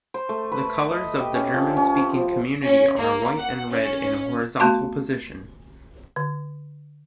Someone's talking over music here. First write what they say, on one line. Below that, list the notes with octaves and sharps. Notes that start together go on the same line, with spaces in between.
The colours of the German-speaking Community are white and red in a horizontal position.
C5
A3
B4
D#5
G4
C#4
F3
C#4
C5
F3
C#4
A#3
F#5
C#4
A3 B3 F#4 A5 C6
D3